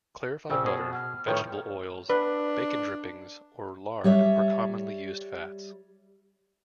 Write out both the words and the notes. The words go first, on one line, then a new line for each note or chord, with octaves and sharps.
Clarified butter, vegetable oils, bacon drippings or lard are commonly used fats.
A#1 C#3 C5 D5 G5 E6
B2 G#4 C5 D#6
F#5 F6
A2 D#3 F3 A4 B4 C#5 G5
D4 B4
G3 C#5 E5